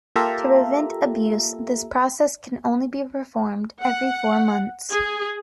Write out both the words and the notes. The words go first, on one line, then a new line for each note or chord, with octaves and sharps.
To prevent abuse, this process can only be performed every four months.
A#3 F4 G4 A4 E5 A#5
F#5
G#4